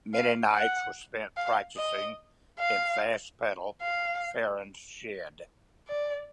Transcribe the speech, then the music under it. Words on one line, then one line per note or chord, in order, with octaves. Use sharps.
Many nights were spent practicing in "Fast Pedal" Farran's shed.
F5
F#5
F5
D#5
F5
F5
D5